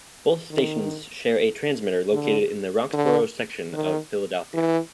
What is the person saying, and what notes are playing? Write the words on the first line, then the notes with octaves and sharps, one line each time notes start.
Both stations share a transmitter located in the Roxborough section of Philadelphia.
D#3
D3
D3
D#3
E3